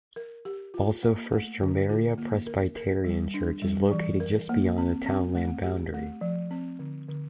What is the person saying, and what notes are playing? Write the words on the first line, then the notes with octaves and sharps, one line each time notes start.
Also First Dromara Presbyterian Church is located just beyond the townland boundary.
A#4
G4
F4
A#3
A3
D3
F4
A#3
A#4
A#4
G3
D4
G3
E3
A#4
A#3
C4
C4
A3
G4
A3
F3
C4
D3
D3